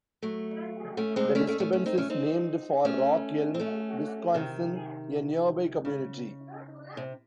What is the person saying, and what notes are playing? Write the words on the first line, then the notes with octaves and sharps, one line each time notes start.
The disturbance is named for Rock Elm, Wisconsin, a nearby community.
F#3 A3
A3 C#4
G#3 C4
A3 C#4
A3 C#4
A3 C#4
A3 C#4
C4 D#4
A3 C#4
C4 D#4
A3 C#4
C4
A3 C#4
C3 D#3
C#3
C3